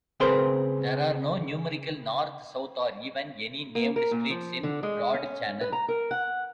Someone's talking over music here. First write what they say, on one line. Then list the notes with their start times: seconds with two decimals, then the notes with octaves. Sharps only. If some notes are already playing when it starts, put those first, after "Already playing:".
There are no numerical north-south or even any named "Streets" in Broad Channel.
0.20 C#3 C4 G#4 A#4 B4 C6
3.75 A#3
3.96 A#4
4.11 A#2
4.30 F3
4.63 D3
4.83 G#3
5.14 C#4
5.61 B4
5.72 A#5
5.88 A#4
6.11 F#5